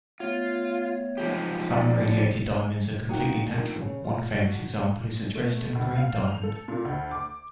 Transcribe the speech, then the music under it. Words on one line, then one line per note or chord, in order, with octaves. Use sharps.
Some irradiated diamonds are completely natural; one famous example is the Dresden Green Diamond.
A3 B3 F4 C#5
G#2 F3 G4
D5
A#3 D#4 F#4 G4 F#5 G5
F2 D#3 A#3 D4
C#3
F4
F#4
A3
D2
F5
F7
A4
A#2
D2
D6